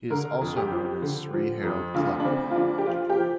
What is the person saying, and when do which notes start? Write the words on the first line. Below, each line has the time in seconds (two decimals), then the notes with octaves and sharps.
He is also known as Sri Harold Klemp.
0.10 D3 A#4
0.41 F2
0.57 G4
0.72 F3
1.02 D3
1.33 F3
1.64 F2
1.94 D2 F4
2.20 D4
2.25 D2 C4
2.51 F4
2.56 F3 D4
2.78 G4
2.86 F3 F4
3.10 G4
3.17 F3